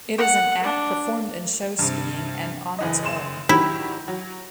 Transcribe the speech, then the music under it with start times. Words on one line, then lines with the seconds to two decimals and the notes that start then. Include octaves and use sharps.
It is an act performed in show skiing, and on its own.
0.18 F#5
0.63 D4
1.79 G2 C3
2.79 F#1 E3 D#5
3.03 F#1 C6 E7
3.49 D#3 F#3 E4 G4
4.08 F#3